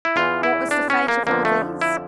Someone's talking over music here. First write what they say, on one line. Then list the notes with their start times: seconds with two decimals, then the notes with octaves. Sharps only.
What was the fate of all these?
0.05 E4
0.16 E2 E3 F4
0.43 E4
0.71 D4
0.90 C#4
1.08 A#3
1.27 F2 D3 F3 A#3
1.45 A3
1.81 E4